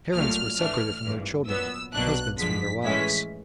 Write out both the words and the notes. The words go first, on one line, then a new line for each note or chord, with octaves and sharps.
Parents were separated from their children and husbands from their wives.
C2 A#2 F#3 A3 F6
A2 E3 A3 D4
G#1 G2 E3
A#2 F#3 B3 E6
B1 B2 F#3 A#3 D4 F#6
F#2 D3 F3 G#3 B6
A2 E3 G#3 C#4 E4 B6